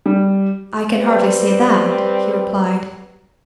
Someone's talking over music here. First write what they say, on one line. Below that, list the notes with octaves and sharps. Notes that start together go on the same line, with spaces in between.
"I can hardly say that," he replied.
G3
G3 C4 B4